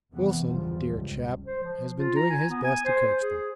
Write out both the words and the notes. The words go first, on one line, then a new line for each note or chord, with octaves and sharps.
Wilson, dear chap, has been doing his best to coach them.
E2 C3 E3 B3
G1 E2 C#3 F3 G3
C#2 G3
C5
F3
F4
A#5
G#5
B3
G#5
C5
G#4